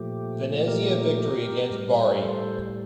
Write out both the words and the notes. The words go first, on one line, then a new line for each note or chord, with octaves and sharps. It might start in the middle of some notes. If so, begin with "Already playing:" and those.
Venezia victory against Bari.
Already playing: A#2 F3 A3 G4
G4 A#4
A2 G3
A4
A#4
A4 C5